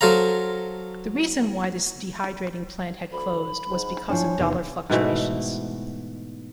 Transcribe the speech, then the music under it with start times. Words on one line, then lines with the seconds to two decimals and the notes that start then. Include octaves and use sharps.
The reason why this dehydrating plant had closed was because of dollar fluctuations.
0.01 F#3 A4 C5 F5 A#5
3.12 D2 B5
3.71 G#2
4.09 F3 C#4 D4 E4
4.38 E2 C3 D#4
4.90 G#2 B2 E3 A3